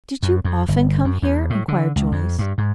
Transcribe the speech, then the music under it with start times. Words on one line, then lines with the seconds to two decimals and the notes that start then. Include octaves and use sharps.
"Did you often come here?" inquired Joyce.
0.23 F#2
0.44 F2
0.68 G1
1.04 F#2
1.22 E2
1.50 A2
1.68 D3
1.96 C#2
2.12 F2
2.39 G2
2.58 G#2